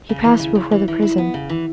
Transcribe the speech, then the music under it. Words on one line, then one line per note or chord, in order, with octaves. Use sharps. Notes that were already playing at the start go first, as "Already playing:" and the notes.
He passed before the prison.
C#3
E3
C#3
C#3
E3
E3
E4
B3
C#3
E3